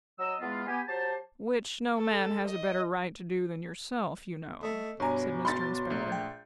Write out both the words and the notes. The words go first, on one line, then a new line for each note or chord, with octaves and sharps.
'Which no man has a better right to do than yourself, you know,' said Mr Inspector.
F#3 D#5 E6
E2 G#3 B3 F4
B3 G4 G#5
F#3 G4 C5 A5
A4
D#5
A3 D#5
G2 B2 C#5 G#5 A#5 D6
C6 A6
A#1 A3
G5